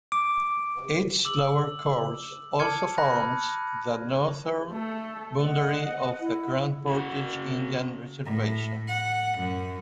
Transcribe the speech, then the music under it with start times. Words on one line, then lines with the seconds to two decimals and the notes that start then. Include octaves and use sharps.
Its lower course also forms the northern boundary of the Grand Portage Indian Reservation.
0.12 D6
1.25 D6 E6 F#7
2.59 A5 D6 F6 G#6 C#7 D#7
2.98 B5 F#6 A#6
4.71 A3 A4
5.42 D#5 F#5
6.20 E4
6.87 C#3 F#4
8.25 A2
8.88 F#5
9.39 F#2